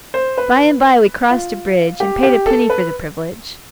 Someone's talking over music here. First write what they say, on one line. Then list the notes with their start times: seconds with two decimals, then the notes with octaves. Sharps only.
By and by we crossed a bridge, and paid a penny for the privilege.
0.14 C5
0.38 B4
1.30 F4
2.00 G4
2.23 G4
2.46 A4
2.70 B4